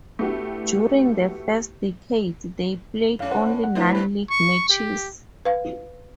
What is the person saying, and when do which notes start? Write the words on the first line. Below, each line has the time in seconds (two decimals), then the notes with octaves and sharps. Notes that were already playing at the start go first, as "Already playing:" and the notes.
During the first decades, they played only non-league matches.
0.19 A3 B3 D4 E4 F#4 G4
3.19 F#2 A2 C#4 F5
3.31 C5 F#5
3.64 F#5
3.75 A3 B3 D4 E4
3.95 B2 C4 B4
4.30 C#6
4.69 G4
5.45 B4 F5